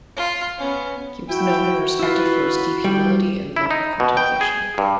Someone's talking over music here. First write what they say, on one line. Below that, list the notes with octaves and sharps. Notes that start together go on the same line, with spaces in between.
He was known and respected for his deep humility and love of contemplation.
F4
B3 C#4
E4 F#4 G5
E4 F4 B4
F3 G3 A3 G5
E4
D#4
B2
G5
G#4
G2